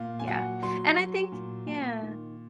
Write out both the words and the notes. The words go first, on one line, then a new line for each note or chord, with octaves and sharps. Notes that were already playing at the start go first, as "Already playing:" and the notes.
Yeah. And I think Yeah.
Already playing: A#2 F5
G#5
F#3 F#5
F#3 C6
F#3
A#2
A#2
D#3